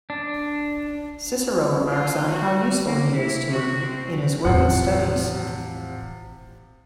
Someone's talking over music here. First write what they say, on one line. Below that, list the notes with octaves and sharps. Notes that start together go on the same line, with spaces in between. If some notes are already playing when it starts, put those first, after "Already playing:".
Cicero remarks on how useful he is to him in his work and studies.
D4
F4
F#4
A#3
E4
F#4
C4
E2 A2 C3 F3 F#5